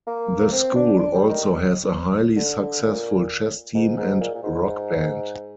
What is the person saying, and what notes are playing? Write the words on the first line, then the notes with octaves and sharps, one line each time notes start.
The school also has a highly successful chess team and rock band.
A#3
C4
D4
D4
G3
D#3
D3
D3
A#2
G#2
G#2
A#2
A#2
G#2